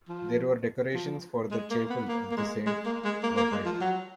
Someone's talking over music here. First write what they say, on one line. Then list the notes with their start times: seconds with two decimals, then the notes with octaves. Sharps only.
There were decorations for the chapel at Saint-Clotilde.
0.09 F3
0.94 F3
1.51 G#3
1.70 A#3
1.90 B3
2.08 A#3
2.31 A#3
2.37 G#3
2.66 G#3
2.85 A#3
3.04 G#3
3.23 A#3
3.37 A#3
3.51 G#3
3.65 F3
3.81 F#3